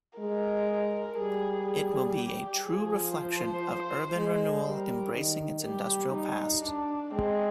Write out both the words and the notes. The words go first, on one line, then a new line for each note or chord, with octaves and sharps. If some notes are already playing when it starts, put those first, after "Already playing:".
It will be a true reflection of urban renewal embracing its industrial past.
G#3 A#4
G3 G#4
G#4
G4
F3 G#4
C5
G#3
G3 A#4
D#3
G3 G4
D#4
D4
G#3 C4